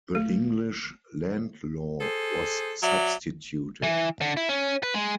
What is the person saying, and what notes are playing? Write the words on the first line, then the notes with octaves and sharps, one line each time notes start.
The English land law was substituted.
A3
G#4 A4 C5
F#3 D5 E5
E3
D3
E4
C#4
B4
G#3